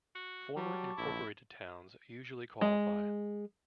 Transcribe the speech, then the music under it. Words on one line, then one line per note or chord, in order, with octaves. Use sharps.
Former incorporated towns usually qualify.
F#4
F#3 G3 A5 C#6 D6
A#1 E4
G#3